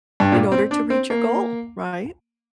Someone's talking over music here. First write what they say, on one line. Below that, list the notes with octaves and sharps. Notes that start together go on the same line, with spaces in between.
In order to reach your goal, right?
G2
A#2
C4
D4
C4
A#3